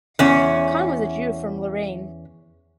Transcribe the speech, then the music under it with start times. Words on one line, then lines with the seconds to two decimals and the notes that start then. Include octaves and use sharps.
Kahn was a Jew from Lorraine.
0.19 E2 C#4